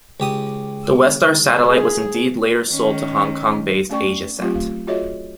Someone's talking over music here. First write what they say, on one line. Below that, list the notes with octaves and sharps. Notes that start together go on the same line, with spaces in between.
The Westar satellite was indeed later sold to Hong Kong-based AsiaSat.
C#2 G4 D#6
G#4
D#3 C#4
A3 C#4 D5 G5 C#6
F#3 A3 C4 F4 G4
A3
F4 F#4 G#4 C#5 D#5 E5